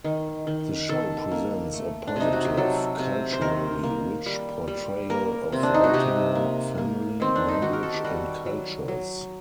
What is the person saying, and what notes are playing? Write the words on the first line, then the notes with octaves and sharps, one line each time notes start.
The show presents a positive, culturally rich portrayal of Latino family, language and cultures.
D#3
D#3
D#3 A4
A#3
A3
D4
C3 D#4
F#4
G4
F#3 A4
C3
C5
D#3 A#4
A#3
G3
G3
A#3 A#4
C3 C4
D4
D#4
F#4
C3 G4
A#3
A#3
D#3 C4
D4
D#4
D#3 F#4
A#4
A4
G4
G3 F#4
F#3
F#3